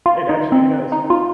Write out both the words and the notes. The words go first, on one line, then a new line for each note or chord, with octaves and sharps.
It absolutely does.
F4
D#4
C4
D#4
F4